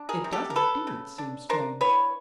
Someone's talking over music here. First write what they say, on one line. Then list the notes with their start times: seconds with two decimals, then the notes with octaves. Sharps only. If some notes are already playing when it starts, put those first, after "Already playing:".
"It does indeed seem strange."
Already playing: D4
0.09 G#4 A#4
0.24 C3
0.32 G4 A4
0.50 A#4
0.56 F#3 A4 B4
0.87 C#3
1.18 D4
1.49 D4 A#4 C5
1.81 E3 B4 C#5